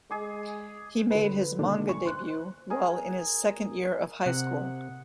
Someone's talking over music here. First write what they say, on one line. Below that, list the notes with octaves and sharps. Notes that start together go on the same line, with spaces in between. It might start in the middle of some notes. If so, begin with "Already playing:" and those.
He made his manga debut while in his second year of high school.
G#3 G#4 D6
D3 B4
B2 D3 D#3 A#3 D4
G#5 C#6
C5 C6 F#6
G#4 A#4
C3 F#5